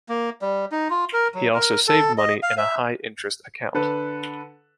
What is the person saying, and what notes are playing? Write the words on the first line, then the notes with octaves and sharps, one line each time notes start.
He also saved money in a high interest account.
A#3
G3
D#4
F4
A#4
F#3
A#4
A4
D#5
F5
E5
D3 A4 B4